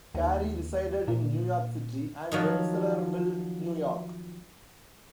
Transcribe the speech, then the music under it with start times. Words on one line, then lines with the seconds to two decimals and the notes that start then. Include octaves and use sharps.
Carey resided in New York City and Rensselaerville, New York.
0.14 D#2
1.08 A#2
2.32 D#3 F3 F#3